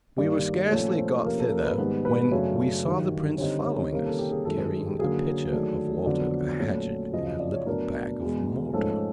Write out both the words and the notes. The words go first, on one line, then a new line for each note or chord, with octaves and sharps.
We were scarcely got thither, when we saw the prince following us, carrying a pitcher of water, a hatchet, and a little bag of mortar.
G2 D#3 G3 A#3 D5
A#2 F3 A3 C#4 C#5
C5
C3 F3 A#3 C#4 A#4
A4
A#4
B4
G#2 D#3 G3 B3 B4
B4
F#2 C#3 F#3 A3 D4 C#5
G2 D#3 F#3
D3 G3 C4 D#4 C#5
C#5
C3 D#3 G3 A#3 C#4 A#4
A4
G4
G#4
F#2 D#3 G#3 A4
G#4
G4
D3 F#3 A#3 C#4 G#4
D#3 F#3 A3 D4
F2 D3 F#3 B3 D5
A#2 F#3 A3 C#4
F#2 C#3 F3 D#5
D#5
D5
C#5
A2 F#3 B3 D4 A#4
E2 B2 G#3
G#2 F3 A3 C#4 A4